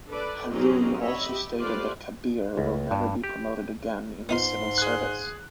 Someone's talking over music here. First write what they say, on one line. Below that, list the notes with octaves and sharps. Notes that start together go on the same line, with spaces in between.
Harun also stated that Kabir will never be promoted again in the civil service.
D4 A4 B4 D5
F#3 C4 C#4 D#4 G4 G#4
C#5 D#5 E5 B5
G4
A3 F4 G4 B4 C5 D5
C#2
G2
G4
G#2 B3 D#4 F4 C6
G#4 F#6